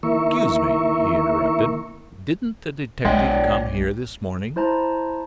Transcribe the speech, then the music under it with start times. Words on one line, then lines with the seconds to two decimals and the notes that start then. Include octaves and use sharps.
"Excuse me," he interrupted, "didn't a detective come here this morning?"
0.03 D#3 A#3 E4 A#4 E5 C#6
3.05 B1 G#3 D4 C#5 D5 G5
4.56 E4 C5 A5 A#5